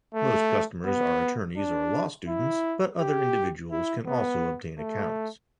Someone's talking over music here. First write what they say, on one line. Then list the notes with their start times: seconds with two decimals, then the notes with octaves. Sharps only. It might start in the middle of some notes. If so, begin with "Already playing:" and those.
Most customers are attorneys or law students, but other individuals can also obtain accounts.
0.14 A3
0.85 B3
1.57 D4
2.28 E4
3.00 G4
3.71 E4
4.07 B3
4.78 A3